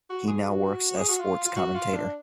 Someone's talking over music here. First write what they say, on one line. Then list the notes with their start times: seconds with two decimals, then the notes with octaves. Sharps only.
He now works as sports commentator.
0.10 F#4
0.28 G#4
0.46 F#4
0.98 G#4
1.08 F#4
1.20 F4
1.46 F4
1.56 F#4
1.75 F4
1.93 D4